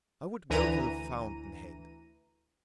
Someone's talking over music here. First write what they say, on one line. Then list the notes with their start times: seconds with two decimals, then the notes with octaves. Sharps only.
I would go to the fountain-head.
0.50 D2 E3 A#5 D#7